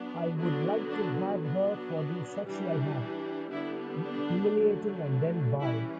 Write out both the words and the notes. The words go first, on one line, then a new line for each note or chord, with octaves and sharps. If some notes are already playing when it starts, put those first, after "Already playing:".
I would like to have her for the sexual act: humiliating and then bye.
Already playing: F#3 B3 D4
D3 F#3 B3 D4
D4
F#3 B3 D4
E3 G3 D4
D3 G3 B3 D4 E4
D4
D3 F#3 A3
E3 G3 C#4 E4